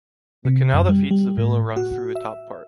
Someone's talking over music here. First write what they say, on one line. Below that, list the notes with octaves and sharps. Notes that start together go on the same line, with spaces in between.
The canal that feeds the villa runs through the top part.
C3
F#2
G3
G3
A2
F#4
E5